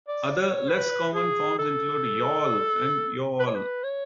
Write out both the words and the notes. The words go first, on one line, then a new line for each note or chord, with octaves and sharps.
Other less-common forms include "yawl" and "yo-all".
D5
C#5
B4
G#4
A4
B4
C#5
B4
C#5